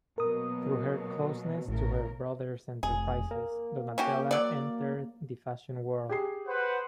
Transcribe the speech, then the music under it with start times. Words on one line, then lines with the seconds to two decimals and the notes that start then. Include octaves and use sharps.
Through her closeness to her brother's enterprises, Donatella entered the fashion world.
0.18 B2 F#3 A#3 A#4 D#6
1.68 A1 A2 C#3 A#4
2.83 F1 G#4
3.31 A#3
3.98 C#4 F#4 G4
4.31 F#3 D5
6.09 G4 G#4 C7
6.47 B4 C5 F#5